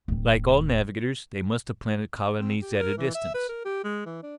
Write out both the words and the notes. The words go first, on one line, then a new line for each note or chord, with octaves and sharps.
Like all navigators, they must have planted colonies at a distance.
D1 C4
C4
G4
A#4
E3
E5
B4
A#4
G4
G#3
E3
D4